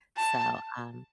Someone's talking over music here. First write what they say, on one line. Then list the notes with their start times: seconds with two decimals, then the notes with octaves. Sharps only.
so, um,
0.17 A5